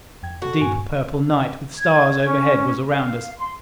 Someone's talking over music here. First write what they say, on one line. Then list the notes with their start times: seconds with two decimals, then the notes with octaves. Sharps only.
The deep purple night with stars overhead was around us.
0.23 F2 G5 G#6
0.42 F#4 A4
0.60 G2 A#2 G#5
1.78 G#6
2.25 C#4
2.90 F5
3.37 C6